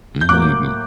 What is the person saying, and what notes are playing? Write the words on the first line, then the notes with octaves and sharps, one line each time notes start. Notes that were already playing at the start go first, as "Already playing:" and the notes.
Mhm, we
G6
A2 F#3 A#3 D6 F#6